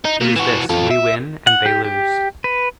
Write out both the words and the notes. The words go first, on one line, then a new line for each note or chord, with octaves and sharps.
It is this: We win and they lose.
D#4
A#2
E3 F#4
F4 A4
E5
F#5
G4
G4
B4